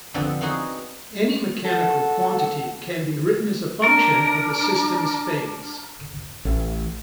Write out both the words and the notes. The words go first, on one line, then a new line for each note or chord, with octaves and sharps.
Any mechanical quantity can be written as a function of the system's phase.
F2 D3 B3 C4 G4 A4
B3 C4 D#4 F#4 G#4
A4 F#5
D4 A#4
A1